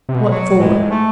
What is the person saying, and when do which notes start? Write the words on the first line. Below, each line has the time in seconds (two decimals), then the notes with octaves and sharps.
What for?
0.09 C3
0.15 B2
0.29 F#3
0.59 A2 G#3
0.82 G#2
0.90 A3